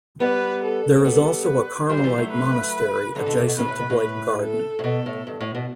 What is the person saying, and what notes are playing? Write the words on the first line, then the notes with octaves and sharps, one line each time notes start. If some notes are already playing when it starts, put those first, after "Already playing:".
There is also a Carmelite monastery adjacent to Blake Garden.
G3 B3 B4
A4
C4
G3 B3 A4
B4
E3 G3 C5
F#3
E3 G3
F#3 A3
B4
D3 F#3 A4
B2 D3
C3
B2
A2 B4
A2
B2
A2
B4
A4
A2
B2 A4
A2
G2
A2
B2